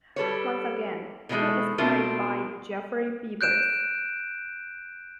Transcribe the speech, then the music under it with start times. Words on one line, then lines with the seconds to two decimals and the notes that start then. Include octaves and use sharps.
Once again, he is played by Geoffrey Beevers.
0.16 G3 A4 B4 C#5
1.29 B2 D#3 E3 F#3 G#3 A3
1.78 B2 A3 C4 D4 F4 A#4
3.41 F#6 G6 D7 E7